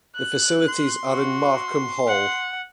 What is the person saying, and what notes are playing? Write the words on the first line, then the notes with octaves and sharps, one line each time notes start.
The facilities are in Markham Hall.
F#6
C6
F#4
F#5